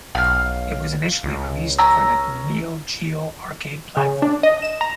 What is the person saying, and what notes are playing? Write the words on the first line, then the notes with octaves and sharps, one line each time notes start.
It was initially released for the Neo Geo arcade platform.
B1 F5 F6
C#2
C#4 A#5 E6
C#3
D4
D#5
E7
A#5